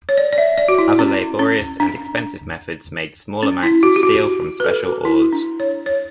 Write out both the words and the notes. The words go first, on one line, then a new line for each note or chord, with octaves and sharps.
Other laborious and expensive methods made small amounts of steel from special ores.
C#5
D5
D5
E5
D5
F#4
E4
C#4
C#4
D4
C#4
E4
F#4
G4
F#4
F#4
B4
A4
F#4
E4
D4
C#5
C#5